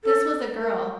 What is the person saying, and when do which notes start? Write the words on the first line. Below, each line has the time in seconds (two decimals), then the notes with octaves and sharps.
This was a girl.
0.04 A4
0.61 A#4